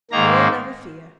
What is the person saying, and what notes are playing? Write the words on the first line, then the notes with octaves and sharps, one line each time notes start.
'Oh! never fear!
G#2 D#3 A#3 A#5